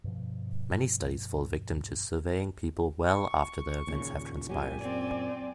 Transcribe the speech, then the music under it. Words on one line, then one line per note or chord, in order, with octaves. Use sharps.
Many studies fall victim to surveying people well after the events have transpired.
G2 B2 F3
C#6
D#2 A#2 C#3
F#2 A#2 F#3 G4 G#5
C4 D5